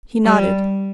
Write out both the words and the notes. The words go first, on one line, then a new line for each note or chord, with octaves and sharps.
He nodded.
G3